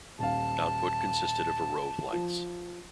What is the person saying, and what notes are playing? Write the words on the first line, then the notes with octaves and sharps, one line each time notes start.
Output consisted of a row of lights.
D#1 F5 A5
F3